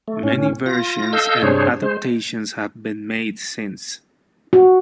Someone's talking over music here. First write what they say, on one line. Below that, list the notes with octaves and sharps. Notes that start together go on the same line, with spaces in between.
Many versions and adaptations have been made since.
A3
A2 C#4
F4 A#6
A4 D#5 F5 E6 G6
G2 C3 D4 G#4 C5 C#5
G#3 C5
F#4